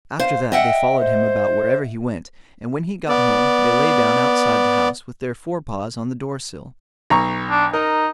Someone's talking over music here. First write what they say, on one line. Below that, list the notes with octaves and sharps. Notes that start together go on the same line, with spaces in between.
After that they followed him about wherever he went, and when he got home, they lay down outside the house, with their fore-paws on the door sill.
C5 F5
D#5 E5 F#5 G5
C5
B3 D5
B1 A#5 C#6
D4
D#4 A#4